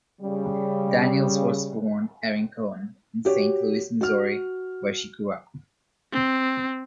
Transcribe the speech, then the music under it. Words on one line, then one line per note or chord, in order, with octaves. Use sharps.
Daniels was born Erin Cohen in Saint Louis, Missouri, where she grew up.
C#3 G3
F#4 G4 C#5
F#4 F6
C4